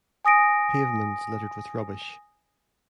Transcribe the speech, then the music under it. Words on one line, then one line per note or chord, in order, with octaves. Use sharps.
Pavements littered with rubbish.
G#5 D#6 A#6 D7